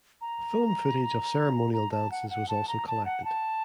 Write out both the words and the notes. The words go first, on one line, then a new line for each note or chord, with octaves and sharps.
Film footage of ceremonial dances was also collected.
A#5
A#5
A5
F#5
F#5
A5
A#5
A5
F#5
A5